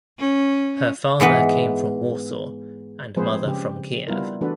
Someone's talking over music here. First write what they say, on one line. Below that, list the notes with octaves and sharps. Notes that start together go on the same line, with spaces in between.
Her father came from Warsaw and mother from Kiev.
C#4
G#2 E3 B3 B4
F3 G#3 C4 G#4 B4 C5
C#3 G4
G3 B3 E4 F4 A#4
E3 A3 D4 F#4 A4 B4